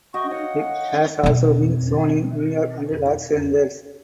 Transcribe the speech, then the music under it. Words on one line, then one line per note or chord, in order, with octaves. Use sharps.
It has also been shown in New York and Los Angeles.
F#4 D#5 G5 C#6
C#5 F5 F#5
B2 C4